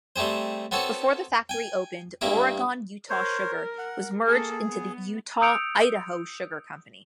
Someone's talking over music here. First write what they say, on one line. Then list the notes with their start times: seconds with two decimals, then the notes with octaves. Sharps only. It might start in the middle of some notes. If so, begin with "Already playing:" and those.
Before the factory opened, Oregon-Utah Sugar was merged into the Utah-Idaho Sugar Company.
0.16 G3 A3 C4 G#4 C5
0.71 B3 C4 F#4 A4 C#5
1.49 G5 G#5
2.21 G2 A#3 E4 D6
3.10 A#4 C5 C#5
3.78 F#5
4.27 A#3 G#4 A4
4.66 B3
5.41 D#6 E6 G6 C#7 D7 F7